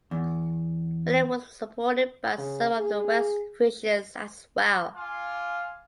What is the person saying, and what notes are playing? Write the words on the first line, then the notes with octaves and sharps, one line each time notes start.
William was supported by some of the West Frisians as well.
E2
C#3
G#4
F4 F5 G#5 D6